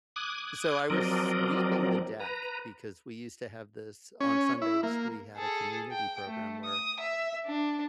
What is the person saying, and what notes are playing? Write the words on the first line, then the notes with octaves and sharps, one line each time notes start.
So I was sweeping the deck because we used to have this on Sundays, we had a community program where
D6 D#6 F#6 G#6
F3 F#3 C4 A#4 D5 D#5
B4 A#5
C#4
E4
A#3
G#4 A4
G5
A3
D#6
E5
D4